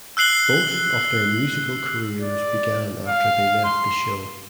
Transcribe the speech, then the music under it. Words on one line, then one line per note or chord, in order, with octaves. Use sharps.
Both of their musical careers began after they left the show.
E6 F#6 C7 F#7 G7
D5
F5
C6